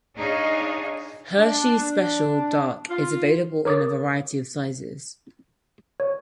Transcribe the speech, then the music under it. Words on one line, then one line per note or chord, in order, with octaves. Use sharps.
Hershey's Special Dark is available in a variety of sizes.
D4 D#4 G#4 C#5 D#5 F5
D4
F4
A#4 C#5 D6 D#6 A6
C#5